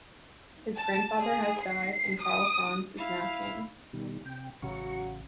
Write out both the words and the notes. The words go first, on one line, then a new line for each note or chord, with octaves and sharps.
His grandfather has died, and Karl Franz is now King.
A5
G#4
C7
D#6
E4 F5
B2 D#3 G3
C3 G5
A1 C#3 F#3 F#4 C#6